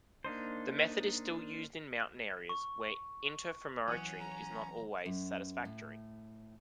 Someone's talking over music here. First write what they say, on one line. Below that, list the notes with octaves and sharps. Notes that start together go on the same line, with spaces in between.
This method is still used in mountain areas, where interferometry is not always satisfactory.
A#3 D4 D#4 C5
C#6
E3 F#3 C#4 C#5 F#5 D#6
A#5
F#2
A2